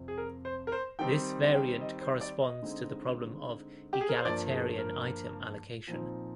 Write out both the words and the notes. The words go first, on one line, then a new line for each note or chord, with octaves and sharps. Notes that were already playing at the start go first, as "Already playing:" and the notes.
This variant corresponds to the problem of Egalitarian item allocation.
Already playing: F2 C3 F3
G#4
A#4
C5
A#4
C5
D#3 G3 C4 D#4 G5
G5
D#5
C5
D5
D#5
D3 G#3 C4 D#4
G4
G#4
A#4
C5
G2 F3 A#3 D5
G#4
A#4
A#2 F3 C4 D#4